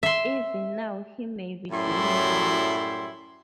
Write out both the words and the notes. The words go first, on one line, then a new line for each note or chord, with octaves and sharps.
Even now he may be doing that.
E5 C6
F#2 A2 F#3 G3 E4 C6